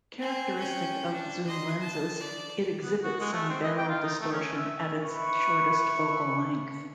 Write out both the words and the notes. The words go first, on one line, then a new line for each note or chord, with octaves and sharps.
Characteristic of zoom lenses, it exhibits some barrel distortion at its shortest focal length.
C4 G#5
C#4 G5
D4
D#5 C6
A5
D5
B3
F#4
G#3
A3
C4
D#5
G5
F4
D#4
A3
C#4
E5
E4 B4 C#6